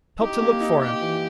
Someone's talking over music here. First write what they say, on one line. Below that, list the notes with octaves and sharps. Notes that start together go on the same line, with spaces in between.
Help to look for him!
D#4 G4
A#3
D#4
A#3 G4
E3